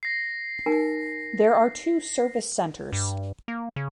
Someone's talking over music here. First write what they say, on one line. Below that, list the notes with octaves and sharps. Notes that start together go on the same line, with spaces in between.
There are two Service Centers.
A#6 C7
D#4 A#4 G#5
G2
A#3
C#3